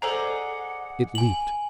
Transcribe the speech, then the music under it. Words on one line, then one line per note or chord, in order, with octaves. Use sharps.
It leaped.
G#4 A4 C5 D5 D#5 F#5 A#5
G#5 F#7